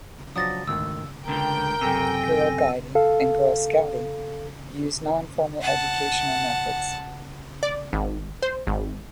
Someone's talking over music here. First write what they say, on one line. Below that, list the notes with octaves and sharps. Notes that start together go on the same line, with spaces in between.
Girl Guiding and Girl Scouting uses non-formal educational methods.
F3 F#3 D4 D#6 A6 A#6
G#1 D2 D#3 E6
C#2 D3 A#4 G5
F#2 C3 A4 G#5 A#6
A4 F5
F#5 A5
D5
G#1
C5
G#1